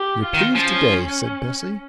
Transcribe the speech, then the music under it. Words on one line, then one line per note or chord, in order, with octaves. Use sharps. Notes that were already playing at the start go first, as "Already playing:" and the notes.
'You're pleased to-day,' said Bessie.
Already playing: G4
F4
D#3
F3 C#4